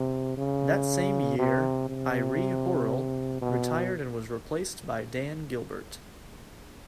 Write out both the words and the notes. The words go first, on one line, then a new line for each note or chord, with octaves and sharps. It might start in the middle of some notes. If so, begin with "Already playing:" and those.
That same year, Irie Horrall retired and was replaced by Dan Gilbert.
Already playing: C3
C#3
C3
C3
B2